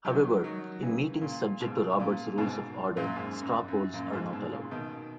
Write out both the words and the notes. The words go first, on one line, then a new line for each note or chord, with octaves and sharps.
However, in meetings subject to Robert's Rules of Order, straw polls are not allowed.
D#3 F#3
D#3 F#3
C#3 E3
A#2 C#3
G#2 B2
A#2 C#3
G#2 B2
F#2 A#2
G#2
F#2
F#2
F#2 A#2
G#2
G#2 B2
A#2 C#3
B2 D#3